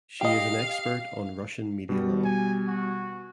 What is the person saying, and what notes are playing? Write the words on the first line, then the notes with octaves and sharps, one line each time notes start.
She is an expert on Russian media law.
G4 D#5 F5
B2 G3
G#5
F#4